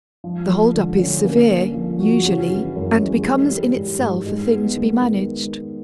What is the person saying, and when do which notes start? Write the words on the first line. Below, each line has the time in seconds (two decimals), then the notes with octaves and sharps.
The hold-up is severe, usually, and becomes in itself a thing to be managed.
0.24 F3
0.49 A3
0.74 D3
0.99 C#4
1.24 A#3
1.50 D4
1.74 F3
2.00 F#4
2.25 C#3
2.50 E3
2.76 F#2
3.00 G#3
3.26 E3
3.50 G3
3.76 G#2
4.01 G#2
4.26 G#3
4.51 B3
4.76 D#3
5.02 D#3